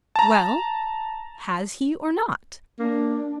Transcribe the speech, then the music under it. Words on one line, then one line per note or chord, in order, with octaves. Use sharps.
"Well, has He or not?"
A5 A#5
A#3 D4